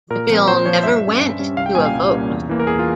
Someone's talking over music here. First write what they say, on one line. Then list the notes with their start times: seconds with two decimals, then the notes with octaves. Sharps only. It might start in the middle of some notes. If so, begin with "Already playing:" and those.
The bill never went to a vote.
0.10 A#2 A#4
0.30 F3 C4
0.47 A#2 C5
0.66 F3 C4 C#5
0.83 G2 E5
1.02 G3 C#4
1.20 G2
1.39 G3 C#4
1.57 C2 F5
1.66 G5
1.75 A#2 G3 A#3 C#4 G#5
1.85 F5
1.93 C2
2.12 A#2 G3 A#3 C#4
2.30 E2
2.49 E3 A#3
2.60 A#4
2.67 E2 G#4
2.79 F4